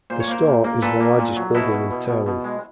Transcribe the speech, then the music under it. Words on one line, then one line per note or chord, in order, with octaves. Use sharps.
The store is the largest building in town.
A#2 C5
C#5
A#3 A#4 C5
A#2
A#3
A#2 A4 B4
A#3
A#2
F#3
B2 E4 F#4
B2
B2
B2
B2
G#3